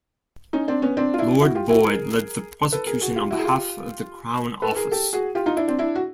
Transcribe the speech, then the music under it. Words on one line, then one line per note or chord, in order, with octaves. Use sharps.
Lord Boyd led the prosecution on behalf of the Crown Office.
C#4 D#4
C4 D4
B3 C#4
C4 D4
F4
D4 E4
E4 F#4
F4 G4
E4 F#4
G#4 A#4
A4 B4
G#4 A#4
F#4 G#4
F4 G4
E4 F#4
G#4
F4 G4
A4 B4
G#4 A#4
G4 A4
F#4 G#4
F4 G4
D#4 F4
D4 E4
C4 D4
D4 E4
F#4